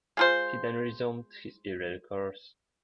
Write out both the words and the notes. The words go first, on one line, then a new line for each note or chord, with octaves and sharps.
He then resumed his earlier course.
G#3 F4 C5